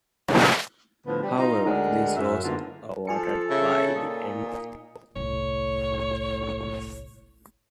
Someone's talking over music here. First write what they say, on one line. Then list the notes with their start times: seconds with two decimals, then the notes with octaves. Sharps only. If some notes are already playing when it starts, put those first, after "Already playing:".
However, this was averted by the end of the war.
1.06 A2 D3 F3 B3 B4
1.23 G3
1.38 D#4 F4
1.66 D2 G#3 D4 A#4 F#5
2.16 F#2 E5
2.44 G#2 D3 A#3 B3 E4 F4
3.07 F3 F4 A4 G#5 C#7
3.50 C#3 E5
3.95 A#2 D#4
5.16 G1 C2 A2 C#5